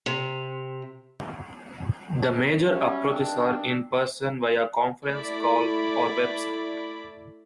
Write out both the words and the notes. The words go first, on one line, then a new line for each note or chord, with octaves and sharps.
The major approaches are "in person", via "conference call" or "website".
C3
F#3 G3 C#4 E5
G2 D#3 C4 D4
A3 E4 D5 B5